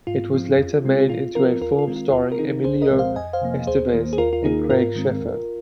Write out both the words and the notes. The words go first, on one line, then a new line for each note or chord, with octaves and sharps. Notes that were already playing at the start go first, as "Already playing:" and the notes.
It was later made into a film starring Emilio Estevez and Craig Sheffer.
G#2 F4
F3 C4
F2
C3 G#3 C4
G#4
A#2 F4
F3 C4 F4 A#4
D#2 F4 A#4
F4
D#3 G#3 C4
F4
D#2 F4
A#4
D#3 C4 D#4 G#4
C2 G#4 C5
A#4 D#5
A#2 F3 G#3 C4
C5 F5
F2 D#5 G#5
C5 F5
C3 F3 A#3
D#2 G#4 C5
D#3 A#3
G#4
D#2 F4 A#4
F4
D#3 A#3 D#4 G#4
G#2 F4 A#4
D#3 G#3 C4
F2